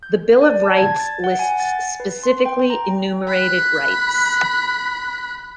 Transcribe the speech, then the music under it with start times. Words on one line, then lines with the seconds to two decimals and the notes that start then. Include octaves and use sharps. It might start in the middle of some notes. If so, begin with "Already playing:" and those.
The Bill of Rights lists specifically enumerated rights.
0.03 G6
0.41 D5
0.63 A5
0.77 G#6
1.00 A6
1.24 F#5
1.39 G#5
1.60 A6
2.00 B4
2.23 C6
2.46 G5
2.70 A#5
3.28 B5 F#6